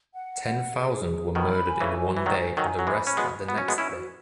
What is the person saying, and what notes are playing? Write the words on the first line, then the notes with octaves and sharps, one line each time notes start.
Ten thousand were murdered in one day and the rest at the next day.
F#5
F#5
G#4
G#4
B2 D#3 B5
G#5
C#3 E3
F#4
E3
D#3 F#3 G#5
D#3 F#3 G#5
F#3
E3 G#3 B5
C#4
G#3 B3 F#4
B3 F#4
C#4
G#3 B3
C#4 E4 F#4